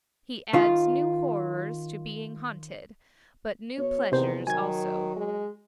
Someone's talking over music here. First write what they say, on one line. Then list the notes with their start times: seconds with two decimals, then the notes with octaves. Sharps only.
He adds new horrors to being haunted, but new pleasures also.
0.53 D#3 F4
3.78 B2 C#5
4.12 E2 C3 D#3 C5
4.47 D#3 F#3 G#5 G#6
5.17 G#3